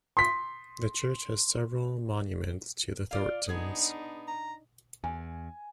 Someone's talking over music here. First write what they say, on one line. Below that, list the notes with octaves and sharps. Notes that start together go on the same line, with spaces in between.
The church has several monuments to the Thorntons.
C6 B6
F4 D5 F5
B3 D4 D#4 G#4
A#5
E2 G#5